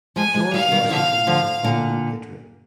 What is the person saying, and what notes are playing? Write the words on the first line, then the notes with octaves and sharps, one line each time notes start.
George Washington was a founding patron.
F3 G#3 G#5
F3 G#3
D#3 G3 F5
D#3 G3
D#3
D3 F3 F5
D3 F3
A#2 D3